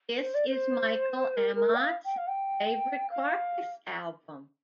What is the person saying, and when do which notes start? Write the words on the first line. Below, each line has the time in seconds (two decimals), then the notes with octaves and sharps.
This is Michael Amott's favorite Carcass album.
0.21 C5
0.34 D5
0.48 C5
1.37 A#4
1.55 A#4
1.75 G5
1.79 F5
2.05 G5
2.17 F5
2.28 G5
3.10 F5